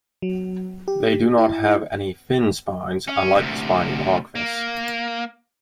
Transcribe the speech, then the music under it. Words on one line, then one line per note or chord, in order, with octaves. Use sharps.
They do not have any fin spines, unlike the Spiny dogfish.
F#3
G4
E4
C#4
D2 C3
A#3